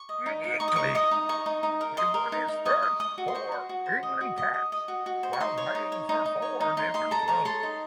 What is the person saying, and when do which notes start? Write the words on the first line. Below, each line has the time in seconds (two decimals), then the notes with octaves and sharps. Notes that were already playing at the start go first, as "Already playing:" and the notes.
Uniquely, he won his first four England caps while playing for four different clubs.
Already playing: C#6
0.09 D#5
0.26 D#4
0.44 D#4
0.60 D#4 C#6
0.68 D#6
0.76 D#4 C#6
0.95 D#5 D#6
1.11 D#4
1.29 D#4 C#6
1.46 D#4
1.63 D#4
1.81 A#4
1.97 D#5 C6
2.14 A#4
2.32 D#4
2.48 D#4
2.65 D#5 C#6
2.83 D#5
3.00 D#5 D#6
3.18 F#4
3.28 C6
3.35 C5 C#6
3.52 F#4
3.69 F#4
3.86 C5
4.03 D#5
4.21 F#4
4.38 D#5
4.54 D#5
4.72 D#5
4.88 F#4
5.06 F#4
5.23 C5
5.33 C#6
5.40 D#4 C6
5.58 C#5
5.75 D#4
5.92 C#5
6.09 D#4
6.26 D#4
6.42 C#5
6.61 D#4
6.77 D#4 C6
6.94 D#4 C6
7.11 A4 A#5
7.28 C#5 A#5
7.45 A4 C6
7.63 D#4